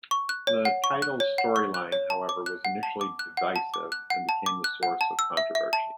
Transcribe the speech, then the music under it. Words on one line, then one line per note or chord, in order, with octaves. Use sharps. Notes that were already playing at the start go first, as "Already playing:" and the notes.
The title's storyline, however, was initially divisive and became the source of controversy.
C#6
F#6
C#5
F#5
C#6
F#6
C#5
F#5
C#6
F#6
C#5
A5
D6
F#6
F#5
A5
D6
F#6
F#5
A5
D6
F#6
F#5
A5
D6
F#6
F#5
A5
E6
E5
E5
A5